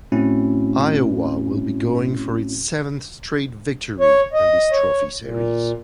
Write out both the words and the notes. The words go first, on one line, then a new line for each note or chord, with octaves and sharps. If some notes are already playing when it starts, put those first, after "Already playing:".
Iowa will be going for its seventh straight victory in this trophy series.
A2 A3 C4 C#4 E4 F#4
C#5
D#5
C#5
A#2